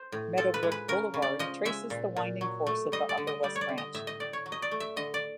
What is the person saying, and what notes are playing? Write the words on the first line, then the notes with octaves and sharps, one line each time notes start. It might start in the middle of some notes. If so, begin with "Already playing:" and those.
Meadowbrook Boulevard traces the winding course of the upper west branch.
Already playing: C5
A2
F3 A4
B4
G#3
B4
C#3 A#4
C#3
D5
F3 D#5
G#3 E5
A#2
A#2
F#3
A3
G3 D#5
D5
D3
D#5
G3 D5
C#5
D5
D3
D#5
A2 E5
D#5
A2 D5
C#5
F#3
D#5
D5
A3
E5
D3 D#5
D5